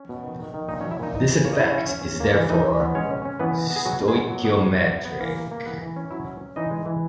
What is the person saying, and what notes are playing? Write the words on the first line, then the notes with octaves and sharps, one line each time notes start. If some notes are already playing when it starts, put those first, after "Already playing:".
This effect is therefore stoichiometric.
Already playing: C#4
B2
D#3
D#3
D#3
A#2 D#4 D#5
C#4 C#5
F#3
E4 E5
A#2 D#4 D#5
E3 D#4 D#5
E3
A#3 C#5
D#5
C#4 E4 E5
C#4
C#4
C#4
A#3
E3
E3 D#4 D#5
E3
B3
G#3 C#4 C#5
C#4
C#4
E3 B3 B4
B3
B3
G#4
F#3 F#4
B2
G#3 G#4
B2
F#3
B2 B3 B4
C#4
F#3
B3
B3
E3 A#3 A#4
A#3
A#3
E3 B3 B4
E3
C#4
F#3 E4 E5
C#4
C#4
E3 D#4 D#5
G#3
E3